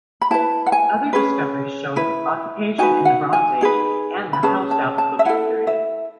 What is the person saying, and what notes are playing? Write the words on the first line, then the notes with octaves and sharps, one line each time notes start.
Other discoveries show occupation in the Bronze Age and the Hallstatt Culture period.
B5
E4 B4 A5
F#5
G#5
C#4 G#4 B4
E4 B4
D#4 F#4 B4 G#5
F#5
G#5
D#4 G#4 B4
B5
C#4 G#4 B4 A5
A5
A5
E5
E4 A4 F#5
E5